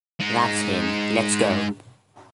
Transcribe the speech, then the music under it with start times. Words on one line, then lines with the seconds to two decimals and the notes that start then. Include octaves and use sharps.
That’s him. Let’s go.
0.20 G#3 D#4